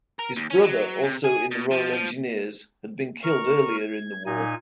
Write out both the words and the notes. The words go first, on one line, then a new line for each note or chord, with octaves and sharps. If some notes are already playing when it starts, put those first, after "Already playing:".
His brother-also in the Royal Engineers-had been killed earlier in the war.
A#4
D#2
C#4
F#3
C3
G#4
B2
F3
F3
A#4 C#6 F6
G#6
A#2 D#4 G#5